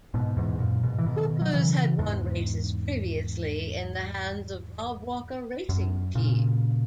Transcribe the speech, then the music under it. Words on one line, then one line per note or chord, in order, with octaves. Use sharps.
Coopers had won races previously in the hands of Rob Walker Racing Team.
G#2 B2
E2 G#2
F#2 A#2
G#2 B2
E3
B2 D#3
F#3
C#3 E3
E2 G#2
F#2
A#2 C#3